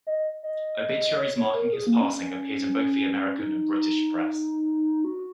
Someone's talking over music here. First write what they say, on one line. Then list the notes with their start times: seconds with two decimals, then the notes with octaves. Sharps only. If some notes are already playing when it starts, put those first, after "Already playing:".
Obituaries marking his passing appeared in both the American and British press.
0.07 D#5
0.43 D#5
1.17 C#5
1.36 C#5
1.54 A#4
1.73 G#4
1.87 A#3
2.01 C#4
2.14 C#4
3.39 D#4
5.04 F#4